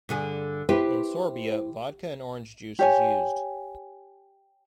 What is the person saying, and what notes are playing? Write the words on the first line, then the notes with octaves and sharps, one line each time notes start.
In Sorbia, vodka and orange juice is used.
G2 D3 G#4
E4 G4 B4 C5
G4 C#5 G#5